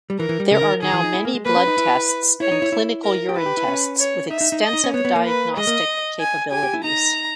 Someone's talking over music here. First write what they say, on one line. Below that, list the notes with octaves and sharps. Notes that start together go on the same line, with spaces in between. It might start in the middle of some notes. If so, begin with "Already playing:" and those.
There are now many blood tests and clinical urine tests with extensive diagnostic capabilities.
G3
E3 A#4
E3
G3
C#3 A#4
D#3
D#3 G#4
E3
D#4
E4
A#3
G#3
A#3 B4
C#4
D#4
E4
E4 C#5
D#4
E4
E4
A#4
G4
E4 B4
G4
E4
C#4
C#5
D#4 E5
D#4
D#4
D#5
D#4
C#4
B3 C#5
B3
A#3
B4
G#3 D#5
A#3
G#5
G4 G#5
G4
E4
D#4 A#5